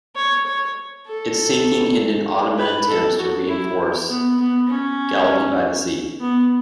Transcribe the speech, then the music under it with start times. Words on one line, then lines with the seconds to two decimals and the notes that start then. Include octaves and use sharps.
Its sinking ended Ottoman attempts to reinforce Gallipoli by sea.
0.16 C#5
0.46 C#5
1.07 A4
2.58 B4
2.88 A4
3.18 F#4
3.49 E4
4.09 B3
4.39 B3
4.69 C#4
6.20 B3